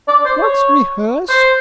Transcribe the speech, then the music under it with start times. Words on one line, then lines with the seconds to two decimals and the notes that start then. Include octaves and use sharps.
"What's rehearse?"
0.08 D5
0.25 C5
0.42 C#5
1.30 C5